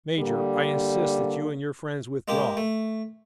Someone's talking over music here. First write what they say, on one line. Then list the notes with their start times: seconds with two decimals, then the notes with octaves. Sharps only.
Major! I insist that you and your friends withdraw.
0.16 D3 G3 A#3
2.28 G#3 A#3 G4
2.57 A3